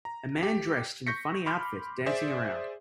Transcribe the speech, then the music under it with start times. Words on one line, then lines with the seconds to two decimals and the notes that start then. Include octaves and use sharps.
A man dressed in a funny outfit dancing around.
0.05 A#5
0.43 G4
1.07 C#6 G6 A#6 B6 C#7
1.46 B5 C6 D6 F6 G6
2.06 G#4 C5 D5 E5